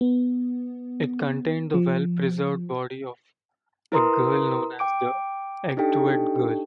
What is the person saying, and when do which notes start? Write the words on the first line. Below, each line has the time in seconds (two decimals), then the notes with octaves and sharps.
It contained the well preserved body of a girl known as the "Egtved Girl".
0.01 B3
1.74 F3
3.92 E4 A#4 B4 A#5 C6 D#6
4.79 G5 D6 D7
5.77 D4 D#4 G4 A4 G5